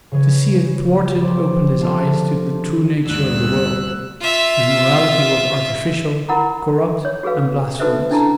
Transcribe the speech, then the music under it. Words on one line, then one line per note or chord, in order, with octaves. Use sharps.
To see it thwarted opened his eyes to the true nature of the world, whose morality was artificial, corrupt, and blasphemous.
C#3 E3 G#4 C#5
F3 G4
A3 F4 A5
D3
D2 G2 E6 F#6
F4 E5
E4 A#4 F#5 A#5 B5
C#5
F#4 G#4 A4 B4 F5
D#4 F#4 A4 B4 C5 E5
C#4 D4 E4 A4 A5 A#5